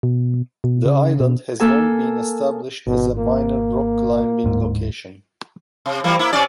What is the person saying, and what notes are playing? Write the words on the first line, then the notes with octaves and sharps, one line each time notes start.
The island has long been established as a minor rock-climbing location.
B2
B2
C#3
B2
A#3 A4 G#5
G#1 B2
A#3
D1 G#2
C3
E3 G3 A#3
A#3 E4
C3 C#4 D5